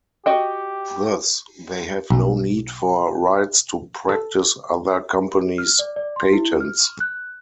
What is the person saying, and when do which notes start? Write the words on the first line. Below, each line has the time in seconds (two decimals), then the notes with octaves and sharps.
Thus, they have no need for rights to practice other companies' patents.
0.26 F#4 G4 D#5 G5
2.10 B1
4.09 A4
5.58 F6
5.79 D5
5.96 D5
6.16 C6
6.33 E4
6.60 F6
7.00 F#6